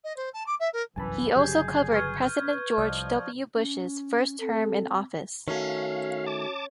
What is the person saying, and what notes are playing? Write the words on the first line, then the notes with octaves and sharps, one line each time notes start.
He also covered President George W. Bush's first term in office.
D#5
C5
A5
D6
E5
A#4
G1 C2 F#2 E3 G#5 A5 B5
G1 C#3 F#3 G4 G#4 G6
B4 C#6 F6 G#6
C2 F3 D5 D#5
C#4
C4 A4
D#3 A3 C#4 F#4 F5
A5 D6